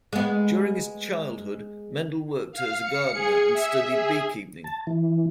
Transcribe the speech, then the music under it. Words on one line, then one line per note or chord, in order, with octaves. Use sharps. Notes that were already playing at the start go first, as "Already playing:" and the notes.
During his childhood, Mendel worked as a gardener and studied beekeeping.
G#3 B3
F5
C#7
G#4
E5
G#4
A5
E3